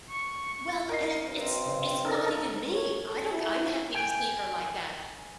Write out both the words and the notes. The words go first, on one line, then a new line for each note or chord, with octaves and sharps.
Well and it it's it's not even me. I don't g I'm happy to see her like that,
C#6
A#4 D#5 C7
B1 C4
C#3
D#4 A4 A#4
C#5
A4
E4
G5 G#5